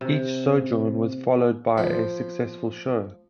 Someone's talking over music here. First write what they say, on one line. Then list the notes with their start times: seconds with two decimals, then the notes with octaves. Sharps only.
Each sojourn was followed by a successful show.
0.01 C3
1.78 F3 C5 B5